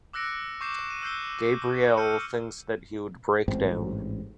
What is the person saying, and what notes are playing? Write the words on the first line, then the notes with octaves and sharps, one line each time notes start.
Gabrielle thinks that he would break down.
D6 E6 F#6 A#6 C#7 D7
C#6 D6 G6 C7 E7
D#7
E6 F#6 G6 C7 G7
E6 F6 G6 C#7 D#7
A1 G#2 C4